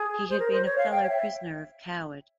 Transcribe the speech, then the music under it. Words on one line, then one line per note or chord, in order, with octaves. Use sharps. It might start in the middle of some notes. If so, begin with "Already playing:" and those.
He had been a fellow prisoner of Coward.
Already playing: G#4
C5
A#4
C5
C#5
F5
G5
C#5
E5